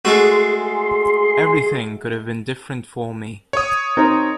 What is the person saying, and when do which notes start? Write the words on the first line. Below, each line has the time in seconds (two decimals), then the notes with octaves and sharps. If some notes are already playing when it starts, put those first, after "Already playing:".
Everything could have been different for me.
0.05 G#3 A3 F#4 G#4 C6
3.53 C#5 D#6
3.97 C4 D#4 A#4